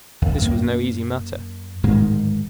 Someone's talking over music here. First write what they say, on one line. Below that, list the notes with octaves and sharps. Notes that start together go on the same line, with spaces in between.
This was no easy matter.
D2
F#2 A#3
D1 G#2 D#3 G#3